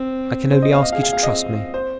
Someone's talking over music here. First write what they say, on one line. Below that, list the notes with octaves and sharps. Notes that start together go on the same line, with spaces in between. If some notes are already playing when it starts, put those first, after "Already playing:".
I can only ask you to trust me.
Already playing: C4
C5
D#5
F5
D#5
G#4 F5
F5
F5
D#5
C4
C5